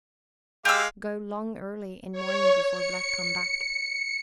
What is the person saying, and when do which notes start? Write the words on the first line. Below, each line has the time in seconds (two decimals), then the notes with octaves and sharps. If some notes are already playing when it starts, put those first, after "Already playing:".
Go long early in morning before Black come back.
0.65 G#3 G4 F5 D6 E6
2.12 C#5
2.71 C#7